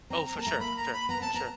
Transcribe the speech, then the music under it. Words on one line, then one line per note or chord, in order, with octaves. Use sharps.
Oh, for sure, for sure, for sure.
C4 A#5
A#5
A#3 A5
A3 A#5
A#3 B5
A#5
B5
B3 A#5
C4 A5
B3 A#5